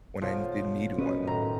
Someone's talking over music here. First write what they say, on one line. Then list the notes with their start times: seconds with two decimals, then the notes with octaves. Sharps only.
when I n did need one.
0.22 B1 F3
0.98 F#2 C#4 B4 D#5
1.27 G#1 A2 A#5